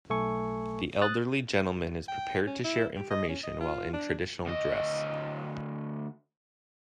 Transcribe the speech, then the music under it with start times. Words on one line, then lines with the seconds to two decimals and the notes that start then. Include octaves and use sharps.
The elderly gentleman is prepared to share information while in traditional dress.
0.10 B1 A3 A4 G#5 C#6
1.01 D#6 F#6 A6
2.08 G5
2.47 C#4
2.64 E4
2.96 G4
3.10 D#5
3.28 C#4
3.44 D#5
3.60 F4
3.93 D4
4.47 D2 D#5